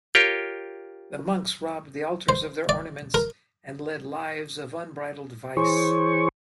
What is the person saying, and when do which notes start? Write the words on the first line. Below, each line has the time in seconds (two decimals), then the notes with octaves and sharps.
The monks robbed the altars of their ornaments, and led lives of unbridled vice.
0.15 F4 G4 A#4 C#5 G5
2.29 C5
2.69 D5
3.14 A#4
5.57 E3 G#4 C5 C#5 C#6